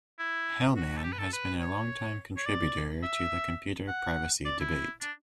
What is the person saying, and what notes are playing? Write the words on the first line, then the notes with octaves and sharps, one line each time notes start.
Hellman has been a longtime contributor to the computer privacy debate.
E4
F#4
A4
G4
B4
A4
B4
C#5
C#5
D5
E5
F#5
D5
E4
D4